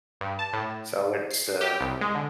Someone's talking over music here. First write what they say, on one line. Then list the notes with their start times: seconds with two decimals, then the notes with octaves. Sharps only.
So it's uh,
0.21 G2
0.39 A5
0.53 A2
1.31 C7
1.61 G4
1.81 C2
2.01 G#3
2.15 D3